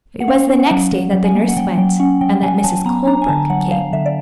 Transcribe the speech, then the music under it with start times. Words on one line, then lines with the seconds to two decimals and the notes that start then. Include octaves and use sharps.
It was the next day that the nurse went, and that Mrs. Colebrook came.
0.20 F#5
0.28 C#4 F5
0.50 C#4
0.60 F#5
0.71 F#3
0.92 F#3
1.14 F#3
1.25 G#5
1.35 A#3
1.48 F#5
1.57 F#3 G5
1.78 F#3 G5
1.99 C#4 F#5
2.21 F#3 G5
2.43 F#3 G#5
2.58 G#5
2.64 F#3 A5
2.86 B3 A#5
3.07 D4 A#5
3.21 G#5
3.28 D3 A5
3.50 F#3 F#5
3.71 F#3 F5
3.93 D3 E5
4.06 D5